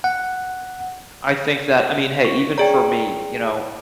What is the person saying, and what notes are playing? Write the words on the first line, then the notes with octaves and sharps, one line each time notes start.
I think that I mean, hey, even for me, you know,
F#5
C#6
G#4 C#5 D5 G5 A#5